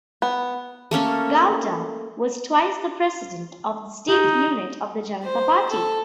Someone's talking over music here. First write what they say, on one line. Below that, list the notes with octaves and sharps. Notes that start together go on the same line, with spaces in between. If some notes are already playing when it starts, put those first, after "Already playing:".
Gowda was twice the President of state unit of the Janata Party.
B3
A3 A#3 C#4 A4
D#4 G4
C5
A4